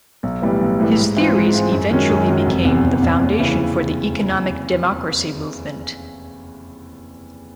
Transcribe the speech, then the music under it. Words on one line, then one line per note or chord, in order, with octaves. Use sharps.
His theories eventually became the foundation for the economic democracy movement.
B1
A2 E3 G3 B3
B1
A2 E3 G3 B3
G#2
E3 G#3 C4 F4
G#2
E3 G#3 C4 F4
F#2
D#3 G#3 C#4 F#4
F#2
D#3 G#3 C#4 F#4
F1
E2 C3
F1
E2 C3
D#2
C#3 E3
D#2